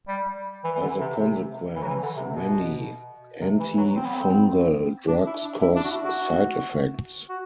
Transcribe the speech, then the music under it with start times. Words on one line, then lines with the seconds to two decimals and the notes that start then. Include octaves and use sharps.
As a consequence, many antifungal drugs cause side-effects.
0.08 G3
0.64 E3
0.75 E3
0.82 D3
1.00 C3
1.19 C3
1.75 E3
1.83 F#3
1.88 E3
2.03 D3
2.17 C3
2.30 B2
3.41 C3
3.59 E3
3.77 F#3
3.96 C4
4.05 B3
4.14 C4
5.08 D4
5.26 E4
5.45 D4
5.62 E4
5.76 D4
5.84 F#4
5.91 E4
6.04 F#4
7.29 F#4